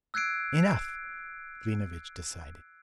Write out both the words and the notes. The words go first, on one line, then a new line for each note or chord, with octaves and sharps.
"Enough!" Klinevitch decided.
E6 F#6 G#6 C7 D7